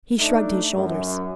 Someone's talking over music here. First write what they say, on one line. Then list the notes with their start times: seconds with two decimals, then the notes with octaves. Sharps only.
He shrugged his shoulders.
0.18 A3 D4 D#4
0.75 F#2